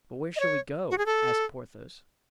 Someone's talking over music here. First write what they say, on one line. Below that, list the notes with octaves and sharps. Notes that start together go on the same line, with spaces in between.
"But where shall we go?" asked Porthos.
D#5
C#5
F#4
G#4
A4